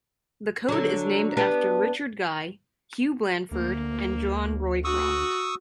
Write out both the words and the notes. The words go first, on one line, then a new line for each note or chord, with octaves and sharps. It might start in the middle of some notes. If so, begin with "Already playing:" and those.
The code is named after Richard Guy, Hugh Blandford and John Roycroft.
D3 F#3
B3 D4 G4
D2 A#3
F#4 C#6 D#6 E6